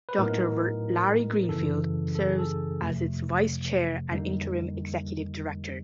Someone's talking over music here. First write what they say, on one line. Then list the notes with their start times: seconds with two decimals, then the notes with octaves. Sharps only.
Doctor Larry Greenfield serves as its Vice Chair and Interim Executive Director.
0.09 B4
0.19 A2 F#3 B3 D#4 A#4
1.49 F#2 C#3 E3 A4
2.15 A4
2.27 G#4
2.39 A4
2.80 F2 C3 F3 A3
4.10 F2 D3 G3 A#3 D#4